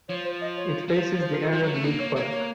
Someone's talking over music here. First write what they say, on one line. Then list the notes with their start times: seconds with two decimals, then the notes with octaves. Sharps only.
It faces the Arab League Park.
0.09 F3 C#5
0.24 C5
0.41 D#5
0.57 C#5
0.88 F3
1.20 C5
1.31 A#4
1.42 A4
1.52 F3 F4
1.63 F#3 D#4
1.73 A3 C#4
1.83 A#3 D#4
2.00 C#5
2.16 A#3 C#5
2.31 C#5